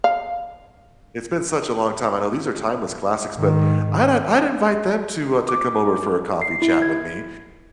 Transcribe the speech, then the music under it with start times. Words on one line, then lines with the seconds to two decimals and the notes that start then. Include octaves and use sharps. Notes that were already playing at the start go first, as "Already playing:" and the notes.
It's been such a long time. I know these are timeless classics, but I'd I'd invite them to, uh, to come over for a coffee chat with me,
0.04 F5
3.35 G#2 D#3
5.49 D6
6.42 C7
6.62 E4
6.82 G#6